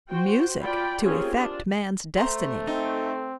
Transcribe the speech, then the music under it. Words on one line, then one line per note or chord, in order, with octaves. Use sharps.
Music to effect man's destiny!
F#4 C5 G5
F4 D5 G5 B5
A#3 C4 C#4 F4 G4 G#4
D4 F4
A3 C5 A#5 C6
C4 D#4